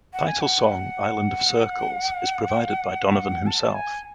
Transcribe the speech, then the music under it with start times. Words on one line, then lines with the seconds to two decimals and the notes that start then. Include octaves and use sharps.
The title song "Island of Circles" is provided by Donovan himself.
0.13 F#5
0.27 G#5
0.41 F#5
3.46 A5
3.74 G#5